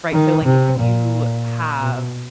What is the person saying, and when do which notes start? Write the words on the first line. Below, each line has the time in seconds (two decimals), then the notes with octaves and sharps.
Right, so, like, if you have
0.12 D#3
0.45 C3
0.79 A#2
1.78 B2